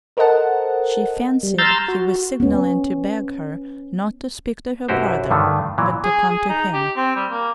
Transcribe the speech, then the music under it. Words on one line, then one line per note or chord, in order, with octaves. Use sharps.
She fancied he was signalling to beg her not to speak to her brother, but to come to him.
A4 A#4 C5 D#5 F#5 A5
G3
A#5 C6 E6 F6 G6 A6
F#4
B3 C#4
B1 F#2 E4 F#4 G4 C5
G2 D3 D#3 A3
A#2 E3 F#3
G#4
G#4
D#4
G4
C4
G3
A#3